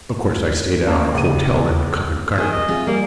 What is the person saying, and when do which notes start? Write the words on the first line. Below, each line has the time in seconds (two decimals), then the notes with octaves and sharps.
Of course I stayed at Our Hotel in Covent Garden.
0.87 A#3 C#4 A#4 A5
1.15 C#2 D#7
2.38 D#3 G#4
2.52 G4 D#5
2.68 C3 F4 G#4
2.87 G3 A#3